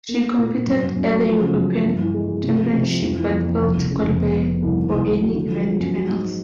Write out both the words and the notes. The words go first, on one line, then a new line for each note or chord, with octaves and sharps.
She competed at the European Championships but failed to qualify for any event finals.
A#3
A#3
A#2
A#2
F#2
F#2
F#2
F#3
F3
C#3
F#2
F3
G2
E3
G#3
G#3
C3
F3
C3
F3
F2
E3
F2
F2
F1
F1
C#3
F1
B3
B3
B3
C2
D#3
C2
C2
F#3
D3
F3
F3
F#2
F#3
G#2